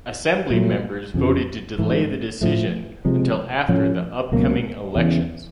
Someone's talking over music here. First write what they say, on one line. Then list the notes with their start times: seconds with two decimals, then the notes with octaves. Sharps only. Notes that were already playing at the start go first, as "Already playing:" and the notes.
Assembly members voted to delay the decision until after the upcoming elections.
0.50 A#2 F#3 A3
1.14 F2 C#3 F3
1.78 G#2 E3 A3
2.41 A2 F3 A3
3.05 C3 F3 G#3
3.68 A2 F3 A3 C#4
4.32 C#2 B2 F#3 A#3
4.96 E2 C#3 E3